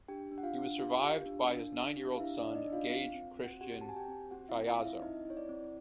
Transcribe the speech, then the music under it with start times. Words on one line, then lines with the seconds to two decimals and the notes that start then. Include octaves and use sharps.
He was survived by his nine-year-old son, Gage Christian Caiazzo.
0.08 D4 G4 G5
0.32 D4
0.38 F#5
0.43 F4 F5
0.55 D4
0.78 F4 G4 F5
1.02 G4
1.26 D4
1.49 D4
1.73 D4
1.97 G4
2.15 F5
2.20 D4 E4 E5
2.37 D5
2.43 D4
2.50 D5
2.55 D#4 D#5
2.67 D4
2.73 F4 F5
2.90 C4 F4 F5
3.14 C4
3.37 C4
3.43 F#4 F#5
3.61 F#4 G4 F#5
3.81 A5
3.84 C4 G#5
3.96 G4 G5
4.08 C4
4.31 C4 F#4 F#5
4.49 E4 E5
4.55 C4
4.67 F4 F5
4.79 C4
4.84 E4 E5
5.02 C4 D#4 D#5
5.25 E4 C#5
5.37 D5
5.49 C4